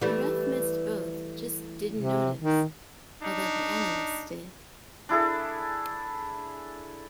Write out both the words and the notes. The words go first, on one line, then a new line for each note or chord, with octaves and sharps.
The ref missed both, just "didn't notice", although the analysts did.
E3 G3 A3
C3
D#3
D4 D#4
D4 E4 G#4 A4